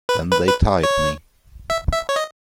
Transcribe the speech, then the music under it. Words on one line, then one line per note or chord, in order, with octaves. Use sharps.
Then they tied me.
B4
B4
B4
C#5
E5
E5
C#5
D#5